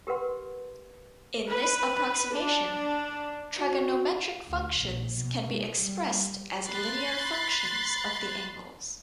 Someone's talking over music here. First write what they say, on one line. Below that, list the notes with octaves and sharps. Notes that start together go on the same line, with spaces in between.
In this approximation, trigonometric functions can be expressed as linear functions of the angles.
G4 A#4 B4 F#5 C6
B4
D4
F#4
D2
A#1
B2
G#3
G3
B5 C6 F#6 A6